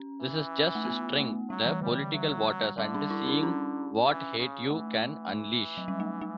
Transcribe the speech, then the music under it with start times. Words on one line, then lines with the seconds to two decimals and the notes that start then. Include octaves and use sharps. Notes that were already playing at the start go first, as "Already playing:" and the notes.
This is just stirring the political waters and seeing what hate you can unleash.
Already playing: C#4
0.21 E3
0.75 A3
0.85 B3
1.18 A3
1.50 F#3 G3
1.65 E3
1.81 D3 G3
2.14 F#3 G3
2.78 D3 G3
2.94 D4
3.10 E4
3.26 D4
3.43 C#4
4.07 E3
4.39 C#3
4.71 E3 A3
5.77 F#3
5.88 G3
6.00 A3
6.21 A3